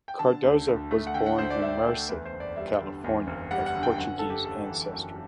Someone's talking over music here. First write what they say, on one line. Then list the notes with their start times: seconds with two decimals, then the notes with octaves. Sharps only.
Cardoza was born in Merced, California, of Portuguese ancestry.
0.08 G5
0.19 D3 A5
0.43 D2
0.68 D2
0.91 A3
1.07 F#5
1.14 D3 G5
1.26 F#5
1.38 D2 C5
1.50 D5
1.61 D2 E5
1.86 A3
2.09 E2 B4
2.25 C5
2.32 F#1
2.40 D5
2.56 G3 E5
2.80 D3
3.04 E2
3.27 F#1
3.51 G3 F#5
3.66 F#5
3.75 D3
3.83 G5
3.98 F#2 F#5
4.19 F#1 A4
4.30 G4
4.45 F#1 A4
4.69 E3
4.93 F#2